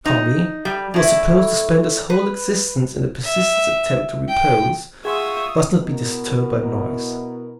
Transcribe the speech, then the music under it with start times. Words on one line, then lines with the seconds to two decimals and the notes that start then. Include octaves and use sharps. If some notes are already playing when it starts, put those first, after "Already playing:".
"Tommy," who was supposed to spend his whole existence in a persistent attempt to repose, must not be disturbed by noise.
0.05 D#4
0.65 G3
0.94 A2 E4
2.10 B4
3.24 E5
4.28 G5
5.05 F4 G#4 E5 F#5 C6 C#6 D#6
5.80 B2 E4 A#4